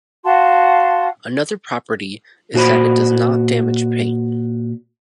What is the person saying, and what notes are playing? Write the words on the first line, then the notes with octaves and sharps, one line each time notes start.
Another property is that it does not damage paint.
F#4 F5 A5 C6
A#2 F#4 G#4 C5 B5